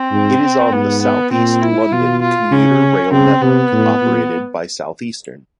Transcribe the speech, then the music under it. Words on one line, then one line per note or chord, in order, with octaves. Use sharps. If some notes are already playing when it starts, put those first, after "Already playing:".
It is on the south-east London commuter rail network operated by Southeastern.
Already playing: C4
G#2
G#2 B3
B3
A#2 C4
E4
B2 F4
F4
C#3 C#4
C#3 C4
C3 B3
A2
A#2